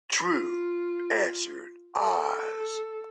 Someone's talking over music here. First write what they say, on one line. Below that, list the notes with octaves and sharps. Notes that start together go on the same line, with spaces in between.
"True," answered Oz.
F4
A4